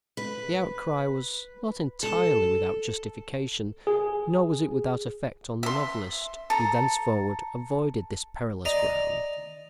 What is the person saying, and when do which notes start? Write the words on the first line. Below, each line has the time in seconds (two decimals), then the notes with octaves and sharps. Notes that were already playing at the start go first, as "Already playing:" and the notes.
The outcry was not entirely without justification, nor was it without effect on the novelist, who thenceforward avoided this perilous ground.
0.17 B4
2.03 A4
3.87 G#4
5.63 E5 C6
6.50 A4 A#5
8.65 D5 D#5 A#5